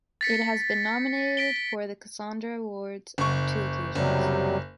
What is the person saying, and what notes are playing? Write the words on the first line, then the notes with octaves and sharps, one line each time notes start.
It has been nominated for the Casandra awards on two occasions.
A6 B6 C#7
B6 D7 G7
F#1 C#6
F#1 C3 F#3 G3